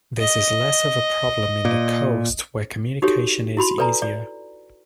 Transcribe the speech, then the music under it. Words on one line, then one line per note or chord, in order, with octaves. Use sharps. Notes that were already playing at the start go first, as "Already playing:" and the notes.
This is less of a problem in the coast where communication is easier.
D#5
A#2
D#4 F#4 G4 A4 C#5
E4 F#4 B5 C6
A4 B4 D5 G#5 A#5
D5